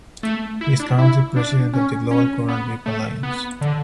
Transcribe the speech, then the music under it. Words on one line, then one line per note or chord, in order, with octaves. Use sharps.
He is currently President of the Global Coral Reef Alliance.
A3
E4
D4
E4
D4
C#4
C#4
B3
A3
B3
D3